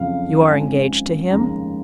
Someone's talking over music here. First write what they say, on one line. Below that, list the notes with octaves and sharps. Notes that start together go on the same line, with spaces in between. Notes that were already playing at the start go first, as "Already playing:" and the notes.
"You are engaged to him?"
Already playing: F#1 F2 C#3 F3 F5
G#1 F#2 F3 C4 G#5
F1 D#2 C#3 G#3 A#5